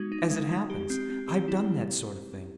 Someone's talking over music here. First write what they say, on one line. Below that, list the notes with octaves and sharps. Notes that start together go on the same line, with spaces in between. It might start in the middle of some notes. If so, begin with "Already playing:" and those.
As it happens, I've done that sort of thing.
Already playing: G#3 B3 D#4 F#4
D#4
G#3
G#3
G4
C4
C4
G4
E4